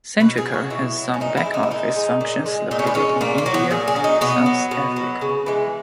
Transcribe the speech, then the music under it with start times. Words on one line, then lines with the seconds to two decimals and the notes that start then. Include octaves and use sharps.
Centrica has some back office functions located in India and South Africa.
0.20 B2 B4
0.38 G#4
0.46 F#3
0.54 F#4
0.70 B2 E4
0.96 F#3
1.14 C#4
1.20 A#2 D#4
1.37 E4
1.45 G#3
1.54 D#4
1.63 E4
1.71 A#2 D#4
1.96 G#3
2.21 A#2
2.46 G#3
2.71 A#2 D#4
2.79 C#4
2.87 B3
2.95 G#3 C#4
3.21 A#2 A#3
3.38 A#3
3.46 F#3
3.54 B3
3.71 A#2 G#4
3.88 G#4
3.96 F#3
4.04 D#4
4.21 B2 B3
4.46 F#3
4.71 B2
4.96 F#3
5.21 C#3
5.46 E3 G#3